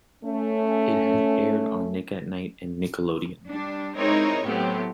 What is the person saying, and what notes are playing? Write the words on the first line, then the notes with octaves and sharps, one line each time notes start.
It has aired on Nick at Nite and Nickelodeon.
A3 C#4
G3 D4
G#3 C4 D#4 E4 A#4 C#5
A2 F#3 B3 C4 G4